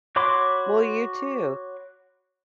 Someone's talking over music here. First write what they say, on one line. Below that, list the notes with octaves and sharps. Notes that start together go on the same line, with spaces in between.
Well, you too.
F#4 C#5 B5 C6 D6